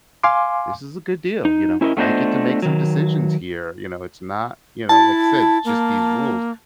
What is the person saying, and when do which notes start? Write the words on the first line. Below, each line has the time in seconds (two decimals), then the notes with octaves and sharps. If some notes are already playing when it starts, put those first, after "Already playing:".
This is a good deal, you know? I get to make some decisions here, you know? It's not, you know, like said, just these rules
0.24 F5 G#5 C6 D6
1.45 D#4
1.81 C#4 E4 A#4 C#5 D#5
1.97 A3 B3 D4 F4 C5 D#5
2.62 D#3 F#3
4.89 E4 A5
5.65 A#3